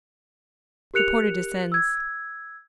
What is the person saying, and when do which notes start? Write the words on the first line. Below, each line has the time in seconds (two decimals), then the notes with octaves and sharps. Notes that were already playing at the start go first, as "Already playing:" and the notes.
The porter descends.
0.94 G4 A#4 F#6 C#7 F7
1.72 E6 G#6